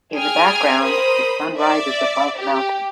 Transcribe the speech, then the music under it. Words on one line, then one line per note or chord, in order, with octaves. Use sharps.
In the background, the sun rises above mountains.
G#4 G5 D#6 F6 G#6
A#4 C5 B5 D#6
D5 E5
G4